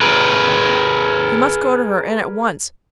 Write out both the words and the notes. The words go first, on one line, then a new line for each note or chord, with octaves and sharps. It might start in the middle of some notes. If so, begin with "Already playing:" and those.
He must go to her, and at once.
G#4 A#4 B4